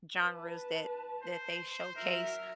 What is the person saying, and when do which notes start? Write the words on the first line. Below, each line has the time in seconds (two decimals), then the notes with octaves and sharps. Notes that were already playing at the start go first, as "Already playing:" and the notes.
genres that that they showcase,
0.22 B4 A5
1.23 C5
1.96 F#3 A#4 E5